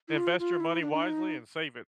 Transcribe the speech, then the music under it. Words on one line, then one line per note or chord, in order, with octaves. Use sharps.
invest your money wisely and save it.
E4
F4
F4
E4
D4
D4
D#4